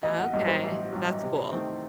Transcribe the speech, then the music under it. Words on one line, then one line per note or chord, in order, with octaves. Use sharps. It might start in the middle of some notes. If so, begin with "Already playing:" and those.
Okay. That's cool.
A1 D#5
F#5
G2 F#3 D#5
C5
A1
G2 F#3
C3
D#3 A3 C4